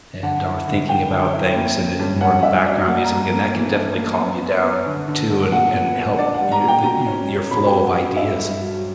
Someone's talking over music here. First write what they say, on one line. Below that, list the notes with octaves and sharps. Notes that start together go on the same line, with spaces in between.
and, or thinking about things and it's more of a background music, and that can definitely calm you down too and and help you the you know, your flow of ideas.
D3 F#5
E4
D3
E4 G5
D3
E4
A#3
C#4
G2
G2 F#5
G2 E5
F#3 D5
A#3 F#5
A#5
G2
A#5
A#3
E3
D4
A#3
B3
B3
B3
D3
D3
D3
A#2 F#5
B3
B3
D4 D5
F#5
G3
A#5
A#2
G5
B2 A#5
C#4
C#4
B2 B5
G5
B2
F#5
F#3
E4 E5
G2
F#3